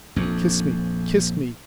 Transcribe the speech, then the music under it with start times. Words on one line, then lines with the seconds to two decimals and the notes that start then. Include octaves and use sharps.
Kiss me, kiss me!
0.16 A#1 F2